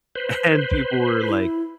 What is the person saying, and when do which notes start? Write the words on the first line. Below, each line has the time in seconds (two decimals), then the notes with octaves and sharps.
and people were like
0.15 B4 C5
1.25 E4